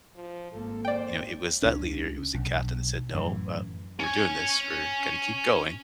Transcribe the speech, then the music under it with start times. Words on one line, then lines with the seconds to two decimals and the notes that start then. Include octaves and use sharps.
you know, it was that leader, it was the captain that said, "No, uh, we're doing this, we're gonna keep going,”
0.16 F3
0.52 G#1 A#3 A4
0.85 C5 D5 G5
1.62 C#2 C#4 D4
2.34 B1
3.14 F#2 A2 E3
4.00 C#4 G#5